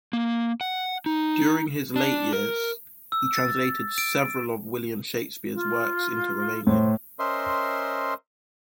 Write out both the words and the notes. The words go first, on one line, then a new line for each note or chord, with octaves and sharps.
During his late years, he translated several of William Shakespeare's works into Romanian.
A#3
F#5
D#4
D4
A#4
E6
A6
D7
F4
A2 C5
C#4 A#4 C5 D#5 E5 C6